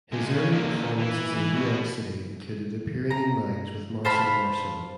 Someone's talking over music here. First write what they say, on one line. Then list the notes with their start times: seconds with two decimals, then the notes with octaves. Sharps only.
His early performances in New York City included appearing in mimes with Marcel Marceau.
0.12 C#3 G#3
0.31 C#3
0.50 D3 A#3
0.98 E3
1.35 E3
1.55 B2
3.11 A#5
4.05 C5 F5 A5 B5